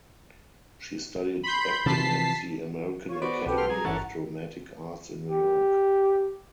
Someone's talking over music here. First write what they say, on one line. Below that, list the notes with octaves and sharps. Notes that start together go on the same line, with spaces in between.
She studied acting at the American Academy of Dramatic Arts in New York.
B5 C6 G6
C3 E3 F3 A5 B6 C7
F4 C#5 C#6
B3 F#4 C5 D5
B1 G4 A4 B4 F#5
C6 F6
G3 G#4 A#5
G1 E3 C#4 A4 F#5 F#6
G4